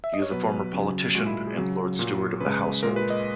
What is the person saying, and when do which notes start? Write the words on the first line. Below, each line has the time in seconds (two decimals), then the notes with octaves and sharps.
He is a former politician and Lord Steward of the Household.
0.04 E5
0.14 D#5
0.22 C#5
0.32 B2 F#3 B4
0.73 C#3 F#3
1.15 G#3 F#4
1.18 A#2
1.26 E4
1.47 G#4
1.57 C#3 F#3
1.99 A#2 F#3
2.40 C#3 G#3 B4
2.83 A#2 G#3 A#4
2.96 B4
3.10 D#5